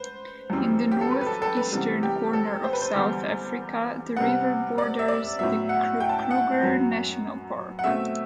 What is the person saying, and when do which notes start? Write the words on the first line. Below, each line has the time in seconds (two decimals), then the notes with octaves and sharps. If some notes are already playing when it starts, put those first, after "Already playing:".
In the north-eastern corner of South Africa the river borders the Kruger National Park.
Already playing: B4 C5
0.50 F#2 E3 G3 C4
0.92 G4
1.01 A4
1.11 B4
1.21 B4
1.26 A4
1.42 A4
1.57 B4
1.72 C3 E3 G3 B3
2.03 G4
2.33 A4
2.64 C5
2.73 B4
2.82 C5
2.95 E2 D3 G3 B3
4.16 C3 G3 B3 F#5
4.78 D5
4.99 E5
5.08 D5
5.39 A2 F#3 B3 E5
5.69 F#5
6.00 G5
6.09 A5
6.19 G5
6.31 F#5
6.61 F#2 F#3 B3
7.79 F#5
7.84 B2 A3 C4 E5